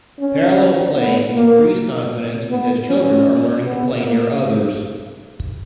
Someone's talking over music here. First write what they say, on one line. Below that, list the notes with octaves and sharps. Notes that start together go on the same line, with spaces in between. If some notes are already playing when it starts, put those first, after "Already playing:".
Parallel play can increase confidence because children are learning to play near others.
C#4
B3
A#3
B3
C#4
B3
A#3